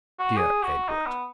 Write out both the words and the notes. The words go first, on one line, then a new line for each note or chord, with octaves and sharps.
"Dear Edward!"
F#4
G#4
F#4
D#4
B3